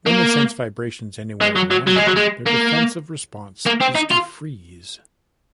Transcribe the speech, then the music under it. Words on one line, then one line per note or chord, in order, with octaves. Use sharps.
When they sense vibrations anywhere around them, their defensive response is to freeze.
A#3
G#3
F#3
F#3
F#3
G#3
F#3
G#3
A#3
A#3
C4
D#4
F4